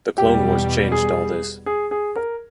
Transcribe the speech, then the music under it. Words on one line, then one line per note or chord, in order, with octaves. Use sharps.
The Clone Wars changed all this.
E2 B2 G3 G4
G#4
G#4
G#4
A#4